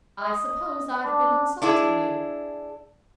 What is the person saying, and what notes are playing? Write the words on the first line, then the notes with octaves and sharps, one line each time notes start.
I suppose I've been insulting you.
D#5
D4
D4 E4 G#4